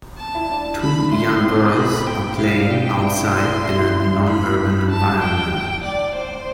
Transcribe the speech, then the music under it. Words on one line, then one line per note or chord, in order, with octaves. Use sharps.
Two young girls are playing outside in a nonurban environment.
A5
E4
D4
B5
E4 C6
E4
C4
C4
B3 B5
A3
G5
E4 F5
D4
C4 G5
D4
E4
D4
E4
D4 C6
E4
D4
E4
E4
E4
D4
E4
E4 B5
A5
G5
D5
C5